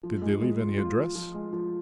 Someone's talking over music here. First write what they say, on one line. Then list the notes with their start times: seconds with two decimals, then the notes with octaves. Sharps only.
"Did they leave any address?"
0.03 F3
0.22 G#3
0.41 G#3
0.60 F4
0.78 F4
0.96 F3
1.15 F3
1.34 G#3
1.53 F3